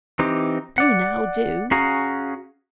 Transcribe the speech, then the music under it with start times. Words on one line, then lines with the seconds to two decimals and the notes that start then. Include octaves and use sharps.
Do now, do.'
0.19 E3 C4 D#4 G4
0.78 D5 F#5
1.71 C#4 F#4 G#4 F5 A#5